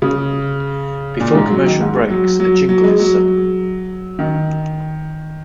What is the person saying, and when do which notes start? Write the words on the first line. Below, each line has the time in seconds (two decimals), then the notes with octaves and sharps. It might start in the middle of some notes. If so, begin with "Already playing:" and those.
Before commercial breaks, a jingle is sung.
0.02 C#3
1.20 A#2
1.35 G#2
1.50 F#3
1.66 D#3
1.81 G#2
2.10 F#3
2.40 F#3
2.69 F#3
2.84 G#3
2.99 F#3
4.19 D#3